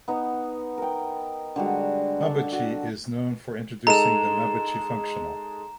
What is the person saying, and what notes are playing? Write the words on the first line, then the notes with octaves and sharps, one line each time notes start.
Mabuchi is known for introducing the Mabuchi functional.
B3 D#4
A#4 G5
D3 G3 G#3 F#4
D4 A4
F#4
G#3 D#4 A4 A#5 E7